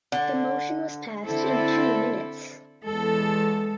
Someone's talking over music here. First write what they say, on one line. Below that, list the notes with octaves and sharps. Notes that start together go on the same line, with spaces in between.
The motion was passed in two minutes.
D3
D3 C4 E4 A4
E2 G#3 A4